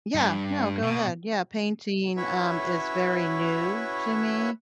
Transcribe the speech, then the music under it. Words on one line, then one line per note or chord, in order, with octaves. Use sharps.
yeah. No, go ahead, yeah, painting, um, is very new to me.
G2
B2
C#4 E4 F#4 B4 C#5 E5